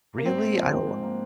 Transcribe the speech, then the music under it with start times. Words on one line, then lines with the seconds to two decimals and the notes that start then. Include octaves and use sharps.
Really? I w
0.18 A#3
0.26 G#2 C4
0.41 A#3
0.57 F3
0.72 G#2 C4
0.87 G#2
1.03 A#3